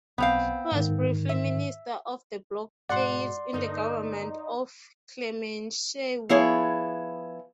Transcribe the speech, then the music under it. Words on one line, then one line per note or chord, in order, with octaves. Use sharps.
He was briefly Minister of Blockade in the government of Clemenceau.
B1 B3 C4 F5
G#2 D#3
E5
G#2 B2 F#4 D5 F#5 C6
G2 D3 A#3 D#4
F3 B3 E4 G#4 C#5